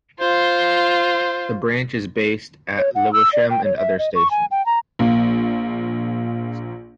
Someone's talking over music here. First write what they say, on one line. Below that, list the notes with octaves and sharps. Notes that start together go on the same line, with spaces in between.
The Branch is based at Lewisham and other stations.
F4 C5
C#5
F#5
E6
D5
G5
C#5
E5
D#5
C#6
G#5
G5
A#5
A#1 A#3